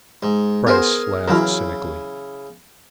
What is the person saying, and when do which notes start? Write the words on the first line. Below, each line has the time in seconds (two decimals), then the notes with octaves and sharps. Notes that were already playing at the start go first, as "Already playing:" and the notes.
Bryce laughed cynically.
0.23 G#2
0.67 B3 G#4 A#4 C5
1.28 C#3 E3 F#3 E4 A#4